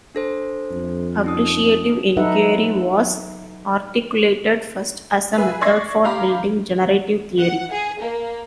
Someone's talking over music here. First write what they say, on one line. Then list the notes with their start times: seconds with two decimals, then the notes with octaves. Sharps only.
Appreciative Inquiry was articulated first as a method for building generative theory.
0.15 D4 A4 C5
0.71 F2
1.24 C#4 D#4 D#6
2.17 F#3 D#4 A4 B4 E5 F#5
5.37 G#4 B4 E5 G#5
5.61 D5 E5 C#6 G#6 A#6 C7
6.04 G4 F5 A#5 B5 D6
7.39 F#5
7.71 G#4
8.01 A#3